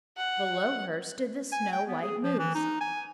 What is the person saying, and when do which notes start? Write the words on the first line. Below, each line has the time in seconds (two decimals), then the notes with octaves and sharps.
Below her stood the snow white moose.
0.17 F#5
1.52 G#5
1.72 G5
1.87 B3
2.03 G#4
2.23 F3
2.38 E3
2.55 D#4
2.81 G#5